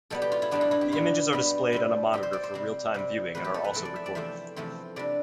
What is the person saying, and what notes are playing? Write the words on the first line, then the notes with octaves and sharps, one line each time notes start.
The images are displayed on a monitor for real-time viewing and are also recorded.
B2 G3 B3 A4
G4
F4
E4
B2 G3 B3 D4
E4
E4
G4
B2 G3 B3 F4
B2 G3 B3
C3 G3 C4
C3 G3 C4 G4
C5
D5
C5
C3 G3 C4
C3 G3 C4
E2 C3 F3 A3 C4 B4
G4
A4
B4
E2 C3 F3 A3 C4 A4
D5
E5
D5
E2 C3 F3 A3 C4 E5
E2 C3 F3 A3 C4
C3 G3 D4 D5